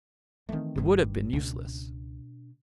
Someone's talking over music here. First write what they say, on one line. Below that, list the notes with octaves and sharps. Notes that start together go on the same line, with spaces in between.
It would have been useless.
D#3 E3 A3 C4
G1 G2
C#2 B2 D4